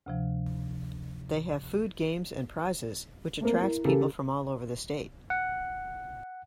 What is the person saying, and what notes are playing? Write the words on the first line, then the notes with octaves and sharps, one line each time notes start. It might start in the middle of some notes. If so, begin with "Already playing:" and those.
They have food, games, and prizes, which attracts people from all over the state.
D2 C3 F3
A3 A#3 C4 A#4
E4 A#4
C#3 G4 A4 A#4
F#5